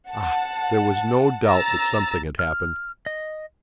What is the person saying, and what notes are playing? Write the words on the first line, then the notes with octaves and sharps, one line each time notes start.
Ah! there was no doubt that something had happened!
F#5 A5
A#5 E6 A6
F6
D#5